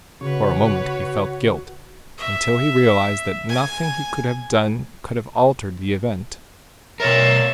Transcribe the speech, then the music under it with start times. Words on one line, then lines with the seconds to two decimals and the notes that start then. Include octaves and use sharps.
For a moment, he felt guilt, until he realized that nothing he could have done could have altered the event.
0.21 C#3 F#4 B4 C#5 C#6
2.18 E5
3.49 G#5
7.00 B2 A#4 C#5 E5 A6